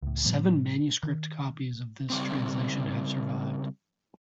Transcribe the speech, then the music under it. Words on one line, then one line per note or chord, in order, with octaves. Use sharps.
Seven manuscript copies of this translation have survived.
C#2 A2
A2 F3 G3 B3
D#3
C#3 G3 C4